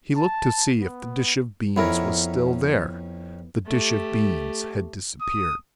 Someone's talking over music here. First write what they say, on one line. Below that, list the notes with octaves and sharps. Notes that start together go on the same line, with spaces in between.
He looked to see if the dish of beans was still there; the dish of beans had disappeared.
A5
B3
F2 B3 C#4 E4 A#4
A3 G4
D#6